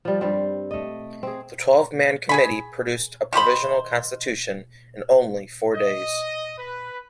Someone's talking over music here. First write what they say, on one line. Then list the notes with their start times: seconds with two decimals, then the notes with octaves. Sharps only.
The twelve-man committee produced a provisional constitution in only four days.
0.05 F3 G3
0.21 G2 G3 C4
0.71 A3 D#5
1.23 C4 G#4
2.29 G#4 G#5 B5
3.33 D#3 G4 C5 B5
5.76 D#5
6.57 B4